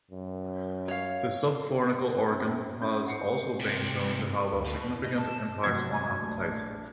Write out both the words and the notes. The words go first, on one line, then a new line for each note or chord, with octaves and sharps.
The subfornical organ has also been shown to have a significant impact on appetite.
F#2
C#5 F5
F#2 C4
C#4 G6
F#5 C7 C#7
A2 C3
D2
B2
E2
G#2 D#5 B5
B2 A5
F1 F#3 F#4 G#6
A#1 A2 A3 D4